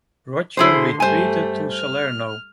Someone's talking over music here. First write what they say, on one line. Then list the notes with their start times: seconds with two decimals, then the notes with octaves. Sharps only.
Roger retreated to Salerno.
0.57 D3 E4 G#4 C5 C6
1.00 G2 G3 A3 C5 G#5
1.73 F6